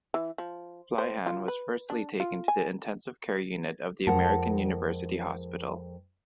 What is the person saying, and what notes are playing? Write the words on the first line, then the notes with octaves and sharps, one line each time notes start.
Fleihan was firstly taken to the intensive care unit of the American University Hospital.
E3
F3
C5
F4
B4
D4
F4
G#5
F2 G#3 F4 A#4 F#5 A5